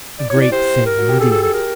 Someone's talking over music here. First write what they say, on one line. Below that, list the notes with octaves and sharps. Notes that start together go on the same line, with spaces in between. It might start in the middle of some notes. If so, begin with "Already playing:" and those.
A great thing, indeed.
D5
C#5
E4
D5
G4 C5
A#4
F#4
G4
G#4 A4
A4
A4
G4 A#4